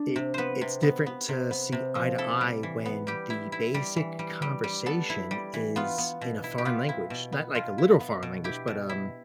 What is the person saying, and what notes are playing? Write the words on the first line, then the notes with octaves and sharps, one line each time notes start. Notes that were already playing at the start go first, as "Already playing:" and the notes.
it it's different to see eye to eye when the basic conversation is in a foreign language- not like a literal foreign language, but, um,
Already playing: D4
C3
B3 B4 C5
C3
B3
B3
C3
B3
C3
F3
E4 A4
G3
E3
B3
G3 G4
E4
E4
G3
E3
G3
G3
G3
B3 A4
E4
G3
E3
B3 F4
B3
B2
E4
G4
B3 F4
E4
B2
B3
B2 F4
E4
B3
B2
E4 G4
B2
E4